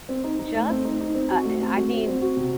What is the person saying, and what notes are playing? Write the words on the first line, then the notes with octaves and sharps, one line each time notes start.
just uh, I I mean,
C4
D#4
D#4
A3
C4
D#4
D#4
C4
F#4
A3
C4
F#4
C4
C4
F#4
C3